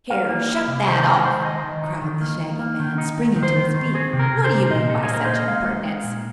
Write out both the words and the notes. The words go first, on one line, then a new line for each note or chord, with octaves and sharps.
"Here--shut that off!" cried the Shaggy Man, springing to his feet. "What do you mean by such impertinence?"
D#4 F5
A#3
D#4
C3
D#3 C5
G#3 A#4
D#3 C5
D#4 D#5
D#3
D#4
D#3
A#3
A#3
A#3
D#3
D#4
D#4
D#3
C5
D#3
D#3
C4 G#4
C3
A#4
C3
C5
C3
A#2 D#5
D#4
G#4
A#3 A#4
A#3 C5
D#5
G#3 F5
D#4
G#3
A#2